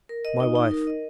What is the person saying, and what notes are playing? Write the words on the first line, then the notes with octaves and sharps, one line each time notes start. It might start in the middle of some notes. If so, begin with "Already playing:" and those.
"My wife!"
A#4
D#5
D#4
D#4
A#4
D#5